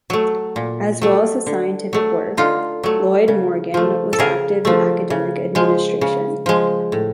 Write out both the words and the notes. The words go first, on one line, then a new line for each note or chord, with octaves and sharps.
As well as his scientific work, Lloyd Morgan was active in academic administration.
F#3 A3
A#2
F#3 A3
D3
F#3 A3
D3 D#4 F4
F#3 A3
C#3
F3 A3
A4
C#3 G#4 A#4
F3 A3
C#3
F3 G#3
C#3
F3 G#3
A2